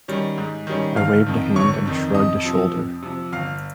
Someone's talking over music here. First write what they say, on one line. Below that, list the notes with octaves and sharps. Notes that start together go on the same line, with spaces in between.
I waved a hand and shrugged a shoulder.
D#3 G3 C#4
G#2
D#3 G3 C#4
G1 F5 F6
F2 D#3
G1 C#5 C#6
F2 D#3
F2 D#5 D#6
C3 F3
F2
C3 F3
G1 F5 F6